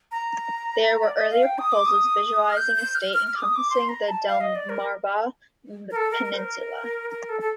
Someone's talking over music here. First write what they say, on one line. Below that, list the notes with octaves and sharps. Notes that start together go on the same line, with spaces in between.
There were earlier proposals visualizing a state encompassing the Delmarva Peninsula.
A#5
D5
D#5
F5
G5
D#6
D6
D#6
F6
G6
G6
F6
F6
F6
D6
D#6
D6
C6
A#5
A5
F5
D#5
D5
A#4
A#4
A4
A#4
A#4
C5
A#4
A#4
A4
A4